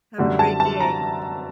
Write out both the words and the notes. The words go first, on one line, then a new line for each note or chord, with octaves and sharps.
Have a great day.
F#2 D3 G3
A5
A5
A#5